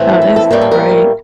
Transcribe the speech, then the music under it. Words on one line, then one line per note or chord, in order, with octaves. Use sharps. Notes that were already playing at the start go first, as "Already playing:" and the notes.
Oh, that's great.
Already playing: A2 E3 A3 C4
A4
A4
A2 G3 A#3 G4
A4
A#4